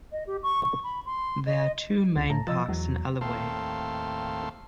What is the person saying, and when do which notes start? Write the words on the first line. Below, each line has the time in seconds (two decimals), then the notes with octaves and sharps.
There are two main parks in Alloway.
0.12 D#5
0.27 G4
0.43 C#6
0.64 C#6
0.84 B5
1.06 C6
1.46 D#5
2.16 C#2
2.30 A2 A5 A#5
2.47 F3 D#5 E6 A6
2.68 E2 F#3
3.21 D#2 A2 C4 A4 F5 C6